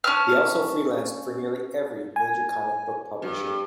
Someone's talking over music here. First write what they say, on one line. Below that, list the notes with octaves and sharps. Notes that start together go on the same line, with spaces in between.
He also freelanced for nearly every major comic book publisher.
C#4 A5 F6
G#5
G2